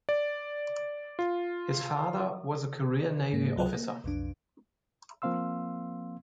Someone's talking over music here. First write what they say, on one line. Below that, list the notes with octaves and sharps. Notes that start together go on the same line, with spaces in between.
His father was a career Navy officer.
D5
F4
G#2 A#3
C#2 F#3 F4 G#4 F#6
A#3
B1 F2 D4
F3 A#3 C4 F5 C6 E6